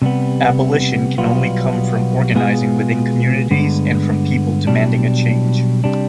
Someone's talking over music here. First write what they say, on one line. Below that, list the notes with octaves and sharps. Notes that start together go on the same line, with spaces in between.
Abolition can only come from organizing within communities and from people demanding a change.
C3 G3 B3
B1 B2 G3 B3 F4
B2 G#3 B3 F4 G#4
G2 D3 G#3 B3
B1 B2 G3 D4
C3 G3 D4